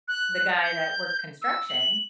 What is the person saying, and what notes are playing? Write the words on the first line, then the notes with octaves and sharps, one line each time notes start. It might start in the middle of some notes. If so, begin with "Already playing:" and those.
the guy that worked construction,
F#6
G6
E6
F#7